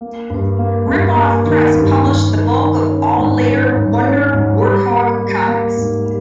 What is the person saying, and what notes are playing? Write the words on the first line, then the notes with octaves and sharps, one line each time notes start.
Rip Off Press published the bulk of all later Wonder Wart-Hog comics.
A#3
G2
A#3
G2
A#3
D#3
G2
G2
D#3
D#3
C#4
G#2
C#4
G#2
C#4
G#2
G3
A#3
G3
A#3
G#2
G3